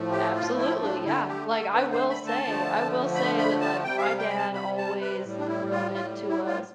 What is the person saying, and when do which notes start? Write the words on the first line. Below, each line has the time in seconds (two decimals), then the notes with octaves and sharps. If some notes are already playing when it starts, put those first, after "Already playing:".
Absolutely, yeah, like, I will say I will say that, like, my dad always drilled into us,
Already playing: A2 F3 A3
0.11 G4
0.35 F4
0.58 E4
0.82 D4
1.05 D3 A3 E4
1.28 G4
1.51 A4
1.74 B4
1.92 C5
2.10 B5
2.27 A5
2.44 D3 F3 A3
3.15 B5
3.38 B5
3.61 A5
3.84 C3 G3 G5
3.98 E5
4.01 F5
4.19 G5
4.29 B5
4.37 A5
4.54 B5
4.77 A5
5.01 B4
5.24 A2 G3
5.39 D4
5.47 E4
5.71 F4
5.94 F4
6.29 E4
6.46 F4